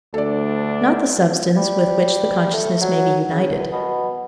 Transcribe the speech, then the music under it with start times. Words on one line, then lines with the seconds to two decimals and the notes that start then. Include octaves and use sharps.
Not the substance with which the consciousness may be united.
0.14 D2 D4 A4 D5
1.57 G3
2.54 A3
2.81 F#3
3.31 C#3
3.52 E2
3.72 B2